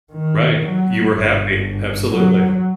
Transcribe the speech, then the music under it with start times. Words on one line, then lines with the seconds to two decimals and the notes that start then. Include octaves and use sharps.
Right, you were happy, absolutely.
0.12 D#3
0.67 F#3
1.15 G1
2.13 F#3